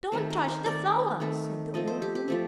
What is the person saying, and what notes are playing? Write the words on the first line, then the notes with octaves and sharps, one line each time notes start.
"Don't touch the flower!" said the old woman.
D#3 A3 C4 C5
A#4
C5
D#3 A3 C4 D5
D#3 A3 C4
F3 A3 C4 D#5
C5
G4
G4
F3 A3 C4